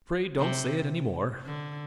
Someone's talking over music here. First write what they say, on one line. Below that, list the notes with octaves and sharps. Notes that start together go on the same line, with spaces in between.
"Pray don't say it any more."
C3
D3